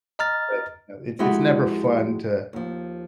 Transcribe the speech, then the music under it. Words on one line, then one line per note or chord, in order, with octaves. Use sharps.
But, no, it's it's never fun to
D#5 A#5 F6 A6
F2 G#3 E4 F#4 G4 D#5
D#2 F3